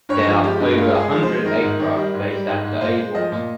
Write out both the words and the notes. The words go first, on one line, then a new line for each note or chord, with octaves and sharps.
There are over a hundred aircraft based at the airport.
G2 C#5
F3
G#3 G4
G2
G#3 F4
G#3
G#4
F3
C5
G#3
D#3 A#4
G#2
D#3
G3
G#2
G3
G#2
G#2
A#2 C5
G#3
F3 D#5
A#2